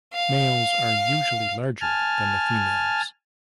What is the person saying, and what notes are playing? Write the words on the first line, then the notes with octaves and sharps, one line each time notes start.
Males are usually larger than the females.
F5
G#5 A5 F6